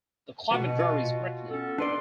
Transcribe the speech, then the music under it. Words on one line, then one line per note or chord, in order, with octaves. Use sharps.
The climate varies greatly.
B2 B3 F#4
F4 F#4
B3 C#4 A4
D4 B4 D5 C6